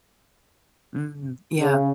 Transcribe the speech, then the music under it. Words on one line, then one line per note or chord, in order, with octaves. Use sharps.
Mm, yeah.
C#3